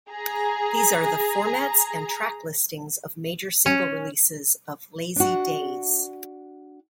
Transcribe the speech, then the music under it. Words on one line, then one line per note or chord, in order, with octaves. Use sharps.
These are the formats and track listings of major single releases of "Lazy Days".
G#4 A#5
C#4
D4 F#4